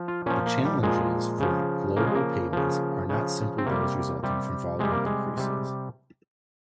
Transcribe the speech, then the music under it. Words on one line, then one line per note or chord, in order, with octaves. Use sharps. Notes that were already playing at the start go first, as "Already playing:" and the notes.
The challenges for global payments are not simply those resulting from volume increases.
Already playing: F3
F4
A#2 F3 C#4
A#3
G3
A#2 F3 G#3
C#3 F3
C#3 F3 A#3
G#3
A#3
C#3 F3
C#3 F3
C4
C3 G3 A#3
C3 G3
C3 G3 G#3
A#3
G#3
C3 G3